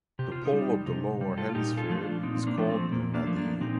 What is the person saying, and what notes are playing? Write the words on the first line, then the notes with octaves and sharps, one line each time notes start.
The pole of the lower hemisphere is called the nadir.
C3 G4
F4
D#4 G4
G3
C3 D#4 G4
G3
F4 A4
F4
A#2 D#4 G4
F4 A4
F3 A3
D4 F4
A#2 C4 D#4
A#3 D4
F3 A3
A3 C4
A#2 A#3
A#3 D4
F3 A3
A#3 D4
A#2 C4 D#4